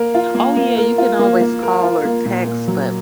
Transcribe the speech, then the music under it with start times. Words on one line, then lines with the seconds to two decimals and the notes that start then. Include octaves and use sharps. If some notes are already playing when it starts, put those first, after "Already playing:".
Oh, yeah, you can always call or text, but
Already playing: A#3 A#4
0.15 F4
0.35 A#3
0.57 A#3
0.77 A#4
0.98 F4
1.19 A#3
1.41 A#3
1.63 A#4
1.83 F4
2.05 A#3
2.25 A#2
2.47 A#3
2.68 F#3